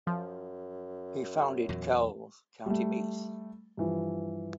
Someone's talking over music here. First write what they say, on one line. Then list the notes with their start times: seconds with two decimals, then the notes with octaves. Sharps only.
He founded Kells, County Meath.
0.07 F#2 F3
1.69 E2 A#2 F#3
2.66 G3 A3
3.77 G2 E3 F3